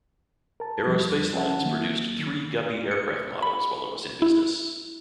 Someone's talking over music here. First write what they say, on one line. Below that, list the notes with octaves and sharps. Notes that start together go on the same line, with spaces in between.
Aero Spacelines produced three Guppy aircraft models while it was in business.
A#4 A5
F2 F3 G3
C#4 E5 F#5 A5
D#3 F#3 A#3
D#3
C#7
B5
E4